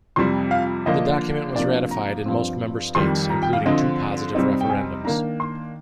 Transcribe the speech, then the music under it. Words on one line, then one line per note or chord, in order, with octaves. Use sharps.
The document was ratified in most member states, including two positive referendums.
F2 C3 G3 C6
F5
D3 F3 A#3 D4 D#5
C3 F3 A#3 D4 D5
A#5
G2 F3 C4
F2 D#3 G3 C6
A#5
G5
F5
D3 F3 C4 D#5
C3 G3 C4 D#4
G5
G#5
D#3 A#3 D4 A#5
C6